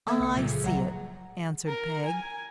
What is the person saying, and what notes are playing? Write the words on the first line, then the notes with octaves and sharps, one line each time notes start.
'I see it,' answered Peg.
D3 A#3 A4 E5 E6 G#6
C2 C#7
A#2 C#3 F3 G3
G#4
A1 F#3 F#5 A#5
A#4
G#5